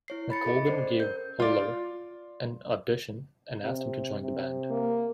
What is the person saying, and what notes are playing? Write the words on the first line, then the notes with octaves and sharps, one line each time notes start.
McColgan gave Hollar an audition and asked him to join the band.
E4 C#5 C7
B5 A6 C#7
G#4 A4 D#5
C#4 C5 D5 C7
A#4 G6
F4 D5
C3
C3
A#3